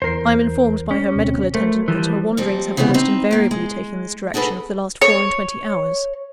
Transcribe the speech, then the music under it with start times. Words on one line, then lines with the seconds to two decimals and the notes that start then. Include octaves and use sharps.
I am informed by her medical attendant, that her wanderings have almost invariably taken this direction for the last four-and-twenty hours.
0.02 E2 E3 A#4 C5 C7
0.91 C#4
1.15 D2 B2 C4
1.55 A3 A#4 C5
1.88 E3 F3 G3
2.37 F2 A#2 F3 G3 C4
2.77 C#3 E3 G3 B3 C4
2.94 C4 D#4 B4
3.31 A2 A#3
3.51 G#3
4.34 D4 F#4 G#4 A4 B4
5.02 C#5